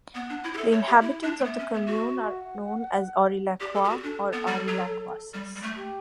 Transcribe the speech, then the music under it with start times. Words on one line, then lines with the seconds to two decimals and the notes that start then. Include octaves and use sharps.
The inhabitants of the commune are known as "Aurillacois" or "Aurillacoises".
0.15 B3 F#5
0.30 D4
0.44 E4
0.54 G4
0.57 A4 E5
0.72 C#5
0.87 G4
1.01 E4
1.23 D4
1.39 A3
1.44 B3 E5
1.59 C#4
1.74 B3
1.87 F#4
2.20 E5
2.31 F#5
3.60 G4 D5
3.74 A4
3.84 G4
3.89 F#4
4.03 D4 A4
4.33 B3
4.47 G3
4.68 F#3
5.34 G3
5.56 G3
5.62 A3
5.77 G4